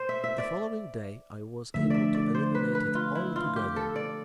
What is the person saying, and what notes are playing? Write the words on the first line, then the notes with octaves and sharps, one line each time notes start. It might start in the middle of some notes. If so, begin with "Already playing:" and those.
The following day I was able to eliminate it altogether.
Already playing: C5
E5
E5
D5
D3 F3 A3 E5
D5 E5
D5
C5
B4
B4
F4
E4
F4
G4
A4
D5